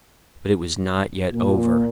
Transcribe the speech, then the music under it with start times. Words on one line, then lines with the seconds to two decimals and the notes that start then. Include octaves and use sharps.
But it was not yet over.
1.32 A#2